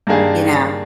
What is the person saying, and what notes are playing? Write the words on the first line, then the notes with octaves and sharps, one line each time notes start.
you know?
G2 D#3 A#3 D4 G#4